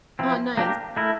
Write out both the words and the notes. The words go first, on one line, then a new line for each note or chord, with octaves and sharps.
Oh, nice.
F3 C4 E4
A#3 D4 G4 A#4
A3 E4 A#4